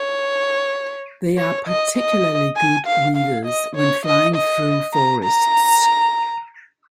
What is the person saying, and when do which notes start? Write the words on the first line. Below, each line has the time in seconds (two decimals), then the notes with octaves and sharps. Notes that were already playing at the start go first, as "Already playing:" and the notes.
They are particularly good weavers when flying through forests.
Already playing: C#5
1.38 C#5
1.68 D#5
1.97 D#5
2.57 G#5
2.87 F5
3.17 F5
3.46 D#5
3.76 C#5
4.06 D#5
4.35 D#5
4.94 A#5
5.24 A#5